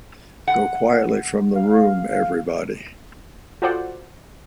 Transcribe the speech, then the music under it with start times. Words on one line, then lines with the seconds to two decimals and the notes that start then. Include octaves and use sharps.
Go quietly from the room, everybody.
0.48 F#5
1.55 F5
3.62 F4 F#4 A4 C5 D5 F#5